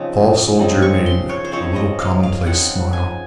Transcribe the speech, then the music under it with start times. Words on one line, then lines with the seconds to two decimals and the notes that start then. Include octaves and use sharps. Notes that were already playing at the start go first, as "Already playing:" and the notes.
The tall soldier made a little commonplace smile.
Already playing: C#3 F3 C4 D#4
0.59 C#3 F3 C4 D#4
0.82 C#6
1.06 C6
1.29 C#5
1.45 C5
1.51 C#3 F3 C4 D#4 C#5
1.76 D#5
2.00 F5
2.23 F5
2.46 C#3 F3 C4 D#4 F#5
2.93 G#5